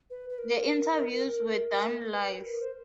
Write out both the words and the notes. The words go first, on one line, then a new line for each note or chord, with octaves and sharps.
The interviews were done live.
B4
B4
A#4
B4
A#4
C5